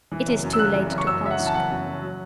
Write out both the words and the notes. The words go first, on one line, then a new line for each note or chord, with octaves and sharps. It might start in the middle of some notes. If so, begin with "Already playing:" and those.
It is too late to ask.
E3
F#1
F#2
E6
F#1 F#6
E3
F#1
C#6
F#2 E6
F#1 E5
F#5
E3
A5
F#1 F#5
F#2
F#1
F#3